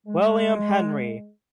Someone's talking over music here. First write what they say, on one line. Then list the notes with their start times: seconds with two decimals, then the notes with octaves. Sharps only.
William Henry.
0.07 G#3